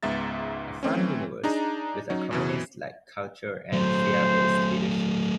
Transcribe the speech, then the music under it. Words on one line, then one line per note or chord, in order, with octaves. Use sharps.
A farm universe, with a communist like culture and fear based leadership.
C#2 G#2 B3 E5 A#5 A6
E3 A3 C4 C#4
D4 D#4 G#4 A#5
F#3 C#4 D#4 F#4
F#2 B2 E3
F#3 A3 C5